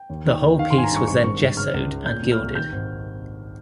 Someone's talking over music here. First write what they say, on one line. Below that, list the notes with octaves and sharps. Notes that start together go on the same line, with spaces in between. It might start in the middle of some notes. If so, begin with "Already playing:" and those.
The whole piece was then gessoed and gilded.
Already playing: G5
D#2
D#3
D#2
D#3 F5
C6
G#1 G#5
A#5
G2 C#6
G#1 C#6
G#2 C#6
G#2
C#3 F6
C#2
C#3
A#2 G6
A#2
F6
C2
D#3 G6
G#1